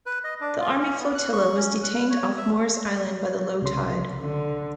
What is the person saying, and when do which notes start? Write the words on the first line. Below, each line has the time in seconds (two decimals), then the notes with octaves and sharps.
The army flotilla was detained off Morris Island by the low tide.
0.06 B4
0.24 D#5
0.41 D4
0.60 F4
0.79 C#4
1.00 B3
1.15 F#6
1.33 C#6
1.57 C#4
1.83 F#6
2.10 C#5
2.37 E5
3.62 C2 C#3 C6
4.21 D3